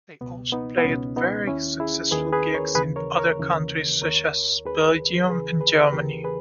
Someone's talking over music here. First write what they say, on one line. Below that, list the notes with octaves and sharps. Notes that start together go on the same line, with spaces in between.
They also played very successful gigs in other countries such as Belgium and Germany.
C#2 B2 B3
B3 D#4
B3
C#2 B2 C#4
B3 D#4
D#2 D#3 C#4 E4
E4 G#4
D#2 D#3 G#4 B4
G#4 B4
A#4 C#5
D#2 C#3 E3 G#4 B4
A#4 C#5
A#4 C#5
D#2 C#3 E3
D#2 D#3 A#4 C#5
D#2 D#3 G#4 B4
E2 C#3 E3 G#4 B4
G#4 B4
E2 C#3 E3 G4 A#4
G#4 B4